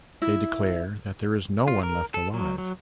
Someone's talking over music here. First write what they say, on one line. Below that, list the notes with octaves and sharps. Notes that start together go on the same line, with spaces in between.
They declare that there is no one left alive.
E4
F4
A#4
A4
F#3
F#3